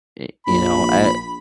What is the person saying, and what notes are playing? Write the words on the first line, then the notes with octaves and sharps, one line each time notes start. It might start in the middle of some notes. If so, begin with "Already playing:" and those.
y you know, I
A#1 B5